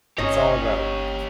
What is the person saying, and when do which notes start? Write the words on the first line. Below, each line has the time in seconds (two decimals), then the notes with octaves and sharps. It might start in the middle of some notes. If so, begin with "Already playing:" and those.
It's all about.
0.18 G1 C#4 D#4 G4 C#5 D#5